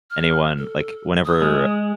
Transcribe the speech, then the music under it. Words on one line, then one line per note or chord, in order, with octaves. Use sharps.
anyone, like whenever, uh,
F6
A4
D#6
G#3